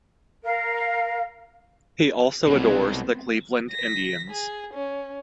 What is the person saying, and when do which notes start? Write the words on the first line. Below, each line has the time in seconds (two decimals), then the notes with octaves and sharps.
He also adores the Cleveland Indians.
0.44 A#4 F5
2.47 C2 B2 F#3 G#3 B3 C4
3.71 A#6 B6
4.30 G#4
4.74 C#4